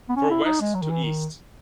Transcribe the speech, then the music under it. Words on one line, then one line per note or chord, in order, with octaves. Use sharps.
For west to east.
B3
C#4
E4
D#4
G#3
F#3
D#3
E3
D#3